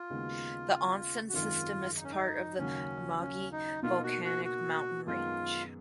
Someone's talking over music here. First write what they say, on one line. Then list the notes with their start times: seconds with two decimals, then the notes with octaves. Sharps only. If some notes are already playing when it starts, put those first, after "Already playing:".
The onsen system is part of the Amagi volcanic mountain range.
Already playing: F4
0.10 D#2 C#3 G#3 B3 F#4
1.29 F#4
1.34 G#1 F#2 D#3 G#3 F4
1.96 D#4
2.04 C#4
2.12 D#4
2.58 D#2 C#3 F#3 C#4
3.21 C#4
3.52 D#4
3.83 B2 A#3 D#4 F4
4.04 F#4
4.25 F#4
4.45 F#4
5.07 F#2 D#3 G#3 B3 F4